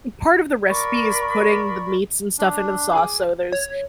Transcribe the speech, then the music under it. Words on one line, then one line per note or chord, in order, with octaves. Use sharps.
part of the recipe is putting the meats and stuff into the sauce, so there's,
A#4 D5 B5 C#6
D4
G#4 G#5 D6
C#5